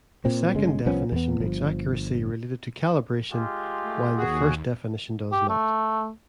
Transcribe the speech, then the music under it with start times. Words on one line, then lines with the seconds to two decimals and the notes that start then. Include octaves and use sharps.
The second definition makes accuracy related to calibration, while the first definition does not.
0.25 A#2 C4
0.55 G1 C#3 G#3
0.86 C2 F3 B3 C#4
1.12 E2 B3
1.40 G1 F3
3.31 G#3 F4 G4
3.82 A3
4.17 D#2 F#4 G#4
5.32 G4
5.49 A3